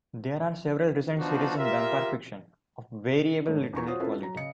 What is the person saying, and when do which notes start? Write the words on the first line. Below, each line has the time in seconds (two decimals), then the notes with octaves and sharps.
There are several recent series in vampire fiction, of variable literary quality.
1.19 F3 B3 D4 D#4 F#4
1.57 F4 G4 A#4 E5
3.47 G#2 A3 C#5
3.73 E2 A#5 C#6
3.87 F4 F#4 C5 C#5 D#6
4.00 C4 C#4 E4 F4 A4 B4
4.21 F#3 A#5
4.36 C#3 D#5 C#7